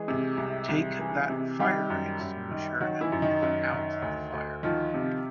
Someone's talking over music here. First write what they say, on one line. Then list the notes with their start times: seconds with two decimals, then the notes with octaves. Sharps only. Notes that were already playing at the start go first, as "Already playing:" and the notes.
Take that fire extinguisher and put out the fire!
Already playing: E3 G#3 G#4
0.08 C3
0.38 C2
0.69 C2
0.99 E3
1.29 C3
1.59 D#3 G3 G4
1.90 F#2
2.20 F#2
2.51 D#3
2.81 D#3 F#3 F#4
3.01 E3 E4
3.12 F#2
3.21 D#3 D#4
3.42 F#2
3.73 D#3
4.02 D2
4.33 D2
4.63 D#3 F3 F4
4.94 C3